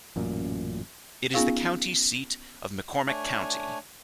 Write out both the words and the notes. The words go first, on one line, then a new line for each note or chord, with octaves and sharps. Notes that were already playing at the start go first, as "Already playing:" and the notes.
It is the county seat of McCormick County.
A1 F#2 A#2
B3 C#4 D#4 F4 G#4 F5
A3 D4 C#5 G#5